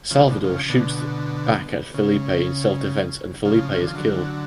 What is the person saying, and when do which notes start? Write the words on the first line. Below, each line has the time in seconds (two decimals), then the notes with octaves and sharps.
Salvador shoots back at Felipe in self defense and Felipe is killed.
0.10 C#3 F3
0.27 B2 D3
0.44 C#3 F3
0.69 B2 D3
1.94 C#3
3.45 C#3 F3
3.71 C#3
3.80 D3
3.87 F3
3.95 D3 F#3